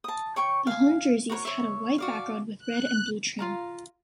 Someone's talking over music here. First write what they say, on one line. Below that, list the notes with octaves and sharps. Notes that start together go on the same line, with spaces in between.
The home jerseys had a white background with red and blue trim.
A5 D#6
C#5 G5 C#6
F5 G#5
F#4 A#4 B4 C#5
C#5 E5
F#4 D5 F5
F#6
F4 F5 A#5